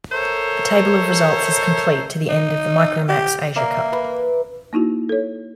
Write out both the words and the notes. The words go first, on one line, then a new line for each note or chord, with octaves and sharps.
The table of results is complete to the end of the Micromax Asia Cup.
A4 A#4 C5 C#5 E5
D#4
G4
A#3 A#4 D5 E5
B4
A#3 D#4 E4 F#4
A4 C#5